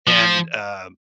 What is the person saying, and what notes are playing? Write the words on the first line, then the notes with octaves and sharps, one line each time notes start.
and uh,
F3